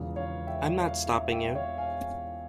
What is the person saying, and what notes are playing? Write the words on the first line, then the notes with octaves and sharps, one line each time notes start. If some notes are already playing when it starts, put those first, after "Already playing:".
I'm not stopping you!
Already playing: E1 E2 C#3 F3 F5
C#5 F5
E5 G5
C#5 F5
E5
E5 G5
C#5 F5
F5 G#5